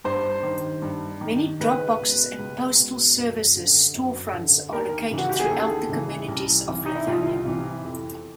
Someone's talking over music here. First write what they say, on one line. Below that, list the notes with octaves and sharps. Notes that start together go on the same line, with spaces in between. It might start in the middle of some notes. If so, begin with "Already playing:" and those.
Many drop boxes and postal services storefronts are located throughout the communities of Lithonia.
G2 C5
D#3
G2
D#3
C#2 B4
B2
C#2
B2
F#2
D3
F#2
D3
D#2 A#4
C#3 E3
F#4
G4
G#4
D#2 A4
C#3 E3
C2
C3 E3
D#4
E4
C2 F4
C3 E3
F2